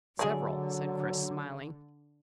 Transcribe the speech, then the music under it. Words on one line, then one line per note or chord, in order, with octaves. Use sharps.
"Several," said Chris, smiling.
D3 F#3 G#3 G#4 D5